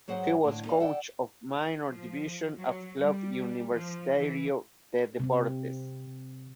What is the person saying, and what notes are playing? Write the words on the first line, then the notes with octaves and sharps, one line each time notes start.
He was coach of minor divisions of Club Universitario de Deportes.
G#2 F#3 G#4 C5 F#5
A2 D3
D#4 A4 D5 F5
A4 D5 F#5 G5
F3
F#3
G3
F3
E3
C3 C4